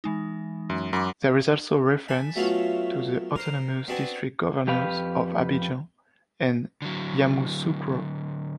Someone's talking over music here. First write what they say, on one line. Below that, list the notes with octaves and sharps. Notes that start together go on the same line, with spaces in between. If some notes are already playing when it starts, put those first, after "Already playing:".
There is also reference to the autonomous district governors of Abidjan and Yamoussoukro.
E3 G#3 D#4
F#2
F#2 F#5 B5 D6
G#5 A5 B5
F#3 A3 B3 C#4 E4 F4
A#4 C5
B3 C4 D4 F#4 D5 G#5
F2 G4 B4 F5
D3 F#3